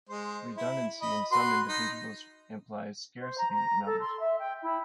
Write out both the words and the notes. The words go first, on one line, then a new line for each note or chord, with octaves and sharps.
Redundancy in some individuals implies scarcity in others.
G#3 C5
E4
D#5 B5
F#4 B4 C6
D#4
C5
A#5
A#5
A4
C6
E5
G5
E4